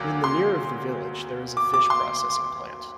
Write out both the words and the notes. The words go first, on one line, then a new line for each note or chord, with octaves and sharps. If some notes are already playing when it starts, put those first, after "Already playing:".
In the near of the village, there is a fish processing plant.
Already playing: D2 F#3 A#3 D6
C6
D6
D6
C6